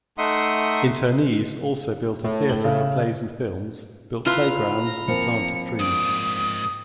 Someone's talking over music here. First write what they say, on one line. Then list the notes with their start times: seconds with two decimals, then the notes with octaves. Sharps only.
Internees also built a theater for plays and films, built playgrounds, and planted trees.
0.18 A3 D#4 E5 F#5 C6 D#6
2.24 A2
2.48 F#7 G7
2.64 C#3
4.26 E4 F4 B4 A#5
5.08 F3 A#3 C4 C#7
5.80 G#2 D5 D#6